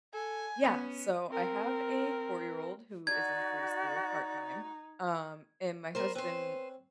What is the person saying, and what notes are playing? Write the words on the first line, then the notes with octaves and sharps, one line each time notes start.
Yeah. So, I have a four-year-old who is in preschool part time, um, and my husband
A4 G#5
B3 C#4
C4 A#4
D#4 F#4 D5 G#6
B3 A#4 C5
C4 C#4 B4 C5